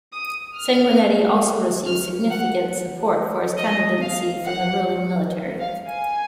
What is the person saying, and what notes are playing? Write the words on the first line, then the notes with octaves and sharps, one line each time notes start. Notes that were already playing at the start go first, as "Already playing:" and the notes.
Sanguinetti also received significant support for his candidacy from the ruling military.
D#6
F6
F6
F#5
D#5
F5
F#5
F5
G#5